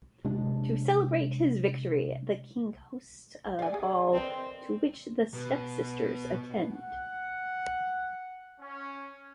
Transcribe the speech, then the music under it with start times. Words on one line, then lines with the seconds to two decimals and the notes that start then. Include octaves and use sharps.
To celebrate his victory, the king hosts a ball to which the stepsisters attend.
0.24 C3 G#3 D4
3.59 D4 F5 G#5
3.74 G#4
4.13 E3 C4 A#4 D#5
5.34 B2 B3
6.71 F#5
8.60 C#4